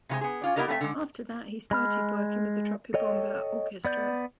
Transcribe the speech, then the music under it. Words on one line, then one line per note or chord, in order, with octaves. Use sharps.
After that he started working with the Tropibomba Orchestra.
C3 F#3 G#3
B3 G#4
C#4 F4 D5
B3 E4 G4 A#4 D5 D#5
A3 C4 D5 E5
D3 G#3
G#3 B5 F6
A4 C#5 D#5 G5
B3 D5 G6